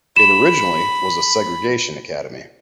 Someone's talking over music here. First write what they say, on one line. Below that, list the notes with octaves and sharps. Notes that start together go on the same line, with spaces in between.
It originally was a segregation academy.
B5 E7